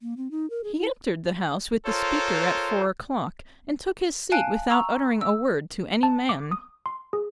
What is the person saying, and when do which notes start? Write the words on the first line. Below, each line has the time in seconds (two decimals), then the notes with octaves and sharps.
He entered the House with the Speaker at four o'clock, and took his seat without uttering a word to any man.
0.01 A#3
0.17 C4
0.31 D#4
0.50 A#4
0.64 G#4
0.75 E4
1.86 F4 A4 A#4 C5 C#5
4.32 F5 G#5 A5 F#6 D7 D#7
4.70 A#5 C#6 E6
5.21 E6
6.03 A5
6.29 D6
6.51 D#6
6.86 C6
7.13 G#4